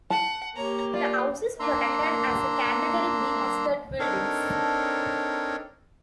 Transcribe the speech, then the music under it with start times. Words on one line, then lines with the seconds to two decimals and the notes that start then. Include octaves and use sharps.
The house is protected as a category B listed building.
0.10 F#5 A5
0.55 A#3 G4 C#5 A#5
0.94 F4 D5
1.60 A#3 D4 A#5 C6 E6
3.99 C4 D4 D#4 A4 A#4 C#5